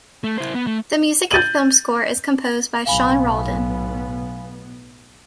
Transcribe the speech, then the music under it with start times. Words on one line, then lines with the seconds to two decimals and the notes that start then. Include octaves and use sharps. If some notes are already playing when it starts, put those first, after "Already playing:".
The music and film score is composed by Sean Roldan.
0.24 A3
0.38 E4 C5
0.55 B3
0.67 A3
1.31 G6 A6 D#7 F#7
2.86 B1 A2 B3 F5 G#5 B5